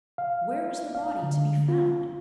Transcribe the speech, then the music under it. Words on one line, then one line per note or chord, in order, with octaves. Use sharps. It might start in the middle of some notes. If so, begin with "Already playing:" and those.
Where was the body to be found?
F5
F5
D3
F4